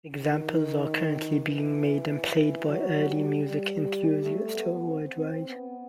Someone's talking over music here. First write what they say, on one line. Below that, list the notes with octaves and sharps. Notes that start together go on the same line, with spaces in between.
Examples are currently being made and played by early music enthusiasts worldwide.
D#3
E3
F#3
G3
G3
A3
B3
C4
C4
B3